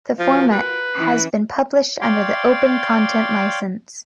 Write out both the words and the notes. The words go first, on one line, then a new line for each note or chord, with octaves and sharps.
The format has been published under the Open Content License.
F3 F4 F#4 A#4
B4
E3 C#4 E4
C#5 D5 F5 G5 C6 D6